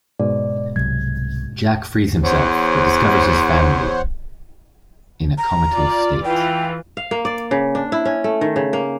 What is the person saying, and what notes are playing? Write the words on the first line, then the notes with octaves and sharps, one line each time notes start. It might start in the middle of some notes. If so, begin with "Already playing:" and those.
Jack frees himself but discovers his family in a comatose state.
G#2 B2 G#3 D5
C2 C3 F#3 G#6
E2 C5 C#5 F#5
A#5
F4 D5
E3 F4 G5
F5
A#3
D5
C#3
D4
E4
C#4
A3
D#3
C#3
A#3